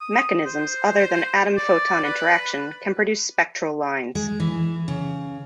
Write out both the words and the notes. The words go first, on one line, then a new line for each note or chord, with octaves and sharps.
Mechanisms other than atom-photon interaction can produce spectral lines.
D#6
C5
D5
B4
G#3
E3
C#3